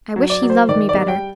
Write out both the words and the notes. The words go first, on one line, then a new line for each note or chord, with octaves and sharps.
"I wish he loved me better."
F#3
D5
F#3
C5
D#3 D5
D5
G3
G5